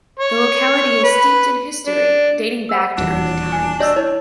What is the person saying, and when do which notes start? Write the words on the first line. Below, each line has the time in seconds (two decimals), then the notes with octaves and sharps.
The locality is steeped in history, dating back to early times.
0.19 C#5
1.04 B4
1.87 D4
2.69 C5 F#5 E6
2.97 D#1 E2 D4 F#4
3.52 G#5
3.79 F#4 D5 D#5 E6 G6 F#7
3.96 E4 C#5